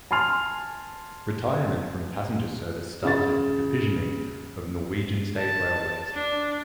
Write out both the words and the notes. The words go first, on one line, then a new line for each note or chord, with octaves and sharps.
Retirement from passenger service started with the fissioning of Norwegian State Railways.
G#5 A5 C6 F6 F7
C#3 A6
A5
D4